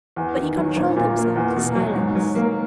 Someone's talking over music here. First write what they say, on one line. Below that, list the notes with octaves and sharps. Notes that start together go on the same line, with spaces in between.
But he controlled himself to silence.
E2
D#3
F#3
A#1
A#2
A#3
E2
B2
F#3
G#2
F#3
A#3